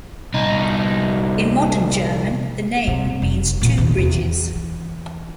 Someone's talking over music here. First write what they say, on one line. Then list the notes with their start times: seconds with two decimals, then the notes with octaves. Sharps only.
In modern German the name means two-bridges.
0.34 C2 D#4
2.88 C3
3.22 F1
3.61 A#2 E3
3.78 D#2 C3
3.98 E2
4.55 E3